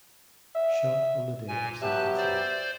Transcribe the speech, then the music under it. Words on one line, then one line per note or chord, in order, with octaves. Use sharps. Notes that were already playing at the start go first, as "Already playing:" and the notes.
Shot on the day of sentencing.
E5
A#2 G#5
F#3 B3 G4 E5 A5 F#6
C5 D5